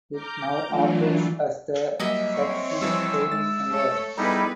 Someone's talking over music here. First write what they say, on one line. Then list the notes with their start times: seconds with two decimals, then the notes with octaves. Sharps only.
It now operates as the Subsea Training Centre.
0.12 A#5 D6 F6 G6
0.67 E3 F#3 A3 D4 F4
2.00 F#3 G3 A#3 D#5 E5 G#5
2.33 C4 C#5
2.81 E3 F3 G3 E6
3.32 G#3 A6
3.69 A3 A4 C#5
4.18 G3 B3 D#4 E4 G#4 A4 B4